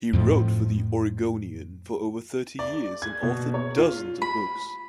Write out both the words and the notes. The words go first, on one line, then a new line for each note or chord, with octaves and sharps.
He wrote for "The Oregonian" for over thirty years, and authored dozens of books.
F2 A2 F3
D5
G#6
B2
C#5
F4
B5